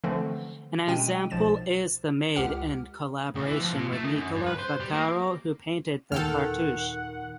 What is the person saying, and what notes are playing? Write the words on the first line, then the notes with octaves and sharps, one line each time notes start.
An example is the made in collaboration with Nicola Vaccaro who painted the cartouche.
D3 E3 F3 A3 C4
B2 G#3 C#4 G5 D#7
B1 B2 F3 A6 E7
C#2 G4 F#5 F6
D2
E3
F2
A#2
A3
D#3
F#2
G2
B4
C5
G3
A#3
D#2 A#2 D#3 A4 F#5 G5 F6